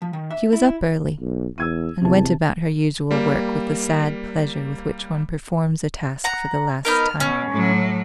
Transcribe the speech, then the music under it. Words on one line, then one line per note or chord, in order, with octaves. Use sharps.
She was up early, and went about her usual work with the sad pleasure with which one performs a task for the last time.
F3
D#3
E5
E4
B1
E2 E6 G#6 D#7
E2 C3 A5
G3 A#3
F#5 A#5
B3 D#4 A#4 F6
B2 C#4
A2 F#3